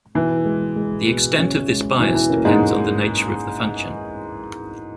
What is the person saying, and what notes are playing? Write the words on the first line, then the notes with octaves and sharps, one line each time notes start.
The extent of this bias depends on the nature of the function.
B2 E3
G#3
G#3
B2
C#4
G#3
B2 E3
E3
A#3 C#4
G#2 G#3